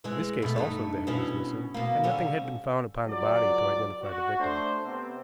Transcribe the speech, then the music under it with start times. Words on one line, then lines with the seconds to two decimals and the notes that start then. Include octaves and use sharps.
In this case also the head was missing, and nothing had been found upon the body to identify the victim.
0.04 E3 G#3
0.42 B2 A3
0.56 G2 A3 D#4
1.07 B2 C#4 E4
1.74 B2 A#3
2.04 D3 G3 C#4
3.06 C#2 F#3 D5
4.02 F#4
4.39 A3 D4 C5
4.84 C3 B3 C4